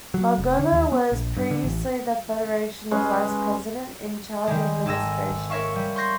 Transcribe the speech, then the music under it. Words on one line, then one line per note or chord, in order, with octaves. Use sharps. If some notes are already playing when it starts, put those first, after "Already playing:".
Magogo was previously the Federation's Vice President, in charge of administration.
F#3
F1
D3
D#2
B3
A#1
G2
D3
A1
G#3 C#4 B4
D#3 G3 G#3
G#1 A4 G#5 E6 A#6
A#4 C#5 E5 F5 C#6
G3
C6 C#6 G6 A#6 C7